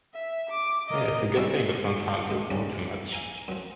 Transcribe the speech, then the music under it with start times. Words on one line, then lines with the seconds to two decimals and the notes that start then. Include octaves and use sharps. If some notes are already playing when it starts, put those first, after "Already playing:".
Yeah, it's a good thing, but sometimes it's a little too much.
0.14 E5
0.50 D6
0.89 A#4 D#5
1.36 C2 G3 A#3 C#4 E4 D#5
2.30 G#3
2.50 G#2 C#3 G3 C#4
3.12 F5 G#5 A#5
3.48 F#2 F3